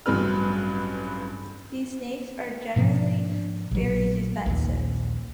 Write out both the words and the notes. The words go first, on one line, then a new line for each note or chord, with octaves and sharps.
These snakes are generally very defensive.
A1 G2 F#3 C4 B4 F6
G#2 B2 F3 A#3
A#1 F#3
A#1 D#2 A#2